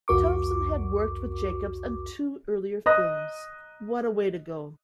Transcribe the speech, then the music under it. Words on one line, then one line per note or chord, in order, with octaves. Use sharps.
Thompson had worked with Jacobs on two earlier films, What a Way to Go!
C2 F2 F#4 A#4 C#6 D6
D#5 A#5 D#6 F#6 A#6